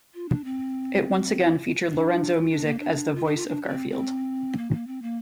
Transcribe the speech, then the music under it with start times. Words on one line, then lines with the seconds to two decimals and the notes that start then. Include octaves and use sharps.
It once again featured Lorenzo Music as the voice of Garfield.
0.15 F4
0.29 D4
0.44 C4
1.92 D4
2.36 F4
2.50 D4
2.65 A#3
2.80 D4
3.16 F4
3.25 D4
3.37 F4
3.47 D4
3.64 D4
3.68 C4
3.91 C4
4.57 A#3
4.72 A#3
4.87 C4
5.02 A#3